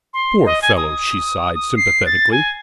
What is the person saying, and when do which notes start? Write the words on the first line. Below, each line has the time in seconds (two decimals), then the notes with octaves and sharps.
"Poor fellow!" she sighed sympathetically.
0.14 C6
0.46 D#5
0.62 G#5
0.77 D#6
1.55 D#6
1.77 C7
2.06 A6
2.32 G#5